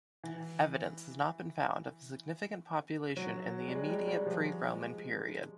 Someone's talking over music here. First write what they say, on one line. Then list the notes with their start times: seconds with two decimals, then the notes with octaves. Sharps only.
Evidence has not been found of a significant population in the immediate pre-Roman period.
0.24 E3
3.17 F#3
3.61 G#3
3.68 G3
3.75 G#3
3.90 G3
4.08 G3
4.26 F3
4.63 G#3